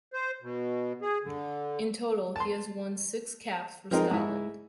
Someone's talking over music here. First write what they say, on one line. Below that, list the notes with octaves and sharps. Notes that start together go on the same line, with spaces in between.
In total he has won six caps for Scotland.
C5
B2
G#4
D3
A5 C6
F3 G#3 C4 D#4 A#4
G#2 E4